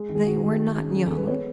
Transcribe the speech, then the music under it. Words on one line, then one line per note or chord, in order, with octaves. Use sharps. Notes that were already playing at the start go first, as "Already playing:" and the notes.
They were not young.
Already playing: G#3
D#3
G#4
D#3 F#4
D#3
G#3
C#4
C#4 G#4
A4
G#3
B4
B3 C#5